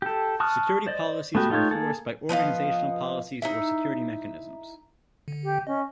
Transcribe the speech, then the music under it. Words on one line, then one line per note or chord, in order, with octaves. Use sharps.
Security policies are enforced by organizational policies or security mechanisms.
G4 A4
A5 C#6 D#6 F6 F#6
C5 D5 D#5
A3 B3 F#4 G4
A3 D#4 F4 G4 C#5
A#3 G#4 A4
F3 B3 D#5 F5
D#4 E4 E5
D3
G4
C#4 D#5